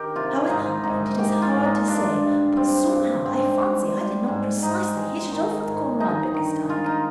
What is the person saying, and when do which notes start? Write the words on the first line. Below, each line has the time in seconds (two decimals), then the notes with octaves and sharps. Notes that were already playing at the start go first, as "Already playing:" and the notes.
How it happened it is hard to say, but somehow I fancy I did not precisely hit it off with Comrade Bickersdyke.
Already playing: D#3 G4 A#4
0.15 C3 F4
0.49 G#2 D#4
0.84 G#2 D#4
1.18 G#2 G4
1.42 F4
1.52 G#2
1.64 D#4
1.87 G2 D4
2.22 G2
2.56 G3 C4
2.90 G2
3.26 G#2 C4
3.59 G3
3.94 G3
4.28 G#2
4.63 G#2 D#4
4.97 G#3
5.32 D#3
5.66 G#2
6.00 G2 D#4
6.34 D#3
6.69 G#3 F4
6.86 D#4